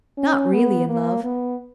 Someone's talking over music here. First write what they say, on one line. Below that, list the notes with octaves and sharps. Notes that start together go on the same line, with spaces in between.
Not really in love.
C#4
B3
A#3
B3